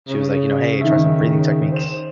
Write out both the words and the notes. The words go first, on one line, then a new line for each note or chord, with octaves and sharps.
she was, like, you know, "Hey, try some breathing techniques"
C#3
D#3 E5
C5 E7